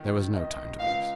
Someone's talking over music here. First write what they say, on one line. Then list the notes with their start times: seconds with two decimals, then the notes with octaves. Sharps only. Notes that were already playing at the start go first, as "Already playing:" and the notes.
There was no time to lose.
Already playing: C#2 D#3
0.35 D#5
0.79 C#2 F5